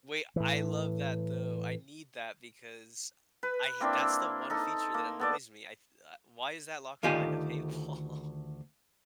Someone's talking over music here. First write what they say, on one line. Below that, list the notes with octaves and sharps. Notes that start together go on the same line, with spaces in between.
Wait, I love that, though. I need that because I I hate that's the one feature that annoys me. I th uh, why is that locked behind a paywall?
A2 E3
B4
A#3 C4 D4 E4
D#4 A4
A#3
B3 A4 D5
D2 D#3 F4 G4 A4 G#5